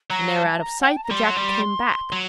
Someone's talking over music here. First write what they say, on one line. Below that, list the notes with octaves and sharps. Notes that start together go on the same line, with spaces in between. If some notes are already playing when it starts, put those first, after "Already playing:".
When they were out of sight the jackal came back.
F#3 A#5
A5
A#5
F#5
G5
A5
A#5
G3 C6
F#3
G3
F#3